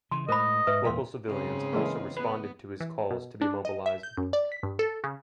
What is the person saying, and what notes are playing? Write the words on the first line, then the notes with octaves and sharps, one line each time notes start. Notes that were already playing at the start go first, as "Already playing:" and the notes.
Local civilians also responded to his calls to be mobilized.
C#3 E3 C6
A2 G#3 A#4 C5 D#5 B5
G#2 B4 E5
E2 A#2 G#3 F5 C6
G#2 C#3 C4
E3 G#3 A#3
B3 B4
E3
B2
D4
D#5
E5
G6
F#2
D5
B6
G2
A4
C#3